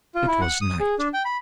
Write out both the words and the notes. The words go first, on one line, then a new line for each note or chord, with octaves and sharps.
It was night.
F4
E4
F#5
D#6
G#4
D4
G5
B5